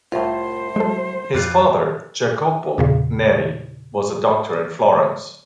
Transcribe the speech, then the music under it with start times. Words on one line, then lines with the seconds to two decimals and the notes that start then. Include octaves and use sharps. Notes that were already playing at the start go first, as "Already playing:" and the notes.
His father, Jacopo Neri, was a doctor in Florence.
0.12 C2 A2 F4 C5
0.76 F#3 G#3 A4
1.34 F2 G3 F4 F#6
2.78 E2 A#2 C#3